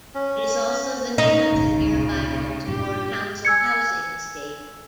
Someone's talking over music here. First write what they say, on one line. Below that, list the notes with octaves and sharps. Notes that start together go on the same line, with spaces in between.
It is also the name of the nearby post war council housing estate.
C#4
C#4 D#4
D#1 G#1 D2 C#3
C#2 A#2
G2 A#2 G4
G#5 E6 G#6 C#7